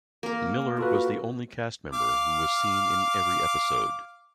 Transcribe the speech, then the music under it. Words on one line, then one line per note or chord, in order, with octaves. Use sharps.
Miller was the only cast member who was seen in every episode.
A#3 A#4
F4 F#4 A4 B4
F5 D6